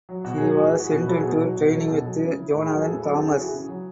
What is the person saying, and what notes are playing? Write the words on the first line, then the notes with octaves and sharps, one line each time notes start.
He was sent into training with Jonathan Thomas.
F#3
B2 F#4
F#3 G#4
F#4
A2
G#4
E3
F#4
B2
B4
F#3 A4
G#4
B2 F#4
F#3
B2
F#3
A4
B2 G#4
F#3
C#3
E3
A2 B4
G#4
F#3 F#4
G#4
A2 A4
B4
F#3 A4
G#4
C#3 A4
G#4
E3 F#4
G#4
C#3
F#3